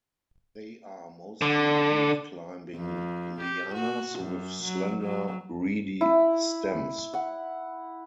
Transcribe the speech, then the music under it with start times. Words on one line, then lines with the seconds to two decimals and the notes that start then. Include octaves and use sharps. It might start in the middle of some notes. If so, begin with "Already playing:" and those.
They are mostly leaf-climbing lianas with slender, reedy stems.
1.41 D3
2.76 F2
3.41 G4
3.74 F#4
4.19 F#2
4.63 F#3
5.03 F#3
6.01 E4
7.14 F#5